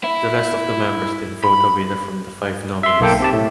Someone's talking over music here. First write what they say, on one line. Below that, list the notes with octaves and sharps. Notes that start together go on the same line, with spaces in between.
The rest of the members then vote a winner from the five nominees.
E4
B5
E5 C6
B1 A#3 A4 G5
C4 G4 A5
A2 A3